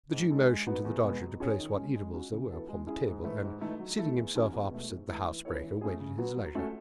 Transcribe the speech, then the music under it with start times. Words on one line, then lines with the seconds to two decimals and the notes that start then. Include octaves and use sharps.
The Jew motioned to the Dodger to place what eatables there were, upon the table; and, seating himself opposite the housebreaker, waited his leisure.
0.11 G#2
0.29 D#3 G#3 D#4 A4
0.48 G#3
0.66 B3 D#4 F#4
0.85 E2
1.03 B2 G#3 B3
1.21 F#3
1.40 C#4 G#4 C#5
1.58 D#3
1.77 G#3 C#4
1.95 G#3
2.14 C#4 F#4
2.32 C#3
2.50 E3 B3 F#4 A4
2.69 G#3
2.87 C#4 E4 G#4
3.06 G#2
3.24 E3 A3 E4 B4
3.42 G#2
3.61 E3 A3 D#4 A4
3.79 F#3
3.97 A3 E4 A4
4.16 E2
4.34 D#3 F#3 C#4
4.53 E2
4.71 B2 A3
4.89 G#2
5.08 E3 A3
5.26 E3
5.45 B3 E4 A4 C#5
5.63 E3
5.81 A3 C#4 G#4
6.00 C#3
6.18 F#3 B3 F#4
6.37 F#3
6.55 A3 C#4 F#4 A4